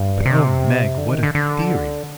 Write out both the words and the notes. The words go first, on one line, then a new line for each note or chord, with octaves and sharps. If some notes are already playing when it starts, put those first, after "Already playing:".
"But oh, Meg, what a theory!"
Already playing: G2
C3
D3
D#3
D3
D3